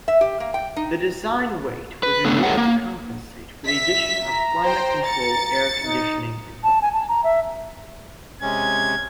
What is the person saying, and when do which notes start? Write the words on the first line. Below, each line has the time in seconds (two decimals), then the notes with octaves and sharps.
The design weight was reduced to compensate for the addition of climate-control air-conditioning equipment.
0.08 E5
0.21 G4
0.40 A#3
0.54 G5
0.76 D#4
2.03 B4
2.25 C#3 A3 B3 C#4 D4 A4
2.43 A3 G#4 A#4 B4 C#5 F#5
2.57 A#3
3.66 E5 B6
4.23 A#5
4.64 C5 G5
5.06 A6 C#7
5.84 D#4
6.64 A5
6.82 G#5
6.93 A5
7.08 A#5
7.24 E5
8.42 C3 G#3 C#4 G#6